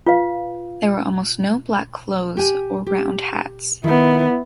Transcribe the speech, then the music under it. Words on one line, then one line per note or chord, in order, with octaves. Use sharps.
There were almost no black clothes or round hats.
F4 B4 F5
G4 G#5
G4
D#3 B3 E4